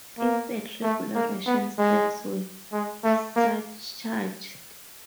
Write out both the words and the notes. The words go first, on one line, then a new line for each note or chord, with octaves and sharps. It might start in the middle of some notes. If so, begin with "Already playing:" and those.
Instead, regular Russian stamps were surcharged.
A#3
A3
A#3
B3
G#3
G#3
A3
A#3